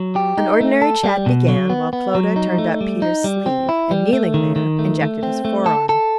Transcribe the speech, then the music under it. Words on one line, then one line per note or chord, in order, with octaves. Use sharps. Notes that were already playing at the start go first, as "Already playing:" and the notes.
An ordinary chat began, while Clodagh turned up Peters' sleeve, and, kneeling there, injected his fore-arm.
Already playing: F#3
G4
D#4
A3
A4
G3
B2
F#3
B3
B3
F#3
D#4
A3
G3
D#4
G3
C4
E4
G3
A3
D#3
D#3
A3
A3
C4
A3
A4
A4